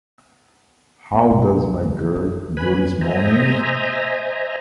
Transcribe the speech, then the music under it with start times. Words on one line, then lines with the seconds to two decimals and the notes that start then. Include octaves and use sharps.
How does my girl do this morning?
1.13 B3
1.31 B2
1.47 C#2
1.83 E2
2.16 F#3
2.57 B4 G#5 B5
3.01 C5 D#5 E5 G#5 A#5